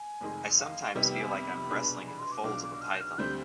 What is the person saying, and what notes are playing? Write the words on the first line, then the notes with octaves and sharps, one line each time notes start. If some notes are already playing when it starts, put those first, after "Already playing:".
I sometimes feel like I'm wrestling in the folds of a python.
Already playing: G#5
F1 F2 D#3 G#3
F5
F2 C3 D#3 G3 B3 D#5
G5
G#5
B5
B2 G#3 D4 G#4 B4
B5
C6
D6
B1 B2 G#3 D4 F4 D6
D6
F6
G6
F6
D2 D3 G3 C4 G6